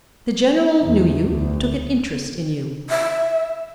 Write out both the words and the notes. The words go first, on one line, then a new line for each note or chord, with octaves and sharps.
The General knew you, took an interest in you.
E2
D2
E5